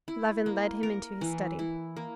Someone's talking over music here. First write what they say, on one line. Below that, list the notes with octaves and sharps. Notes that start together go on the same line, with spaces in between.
Levin led him into his study.
E4
A#3
A#4
E3
E4
A#3